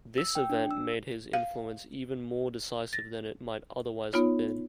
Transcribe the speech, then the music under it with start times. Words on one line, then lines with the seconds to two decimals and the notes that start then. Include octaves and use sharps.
This event made his influence even more decisive than it might otherwise have been.
0.18 E6
0.35 G5
0.50 D4
0.71 E6
1.33 F5
2.93 A6 A#6
4.13 B3 D#4 F4 C#5